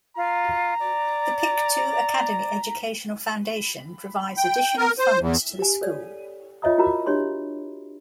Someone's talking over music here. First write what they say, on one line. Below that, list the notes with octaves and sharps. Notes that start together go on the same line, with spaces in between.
The Pictou Academy Educational Foundation provides additional funds to the school.
F4 A#5
D5
G5
A#4
C5
E2
G4 G#5
A4 C#5 D5
F4 C#5 D#5 E5 A#5 D#6
E4 F#4 A#4 A#5 B5
D4 G4 C#5 C6 C#6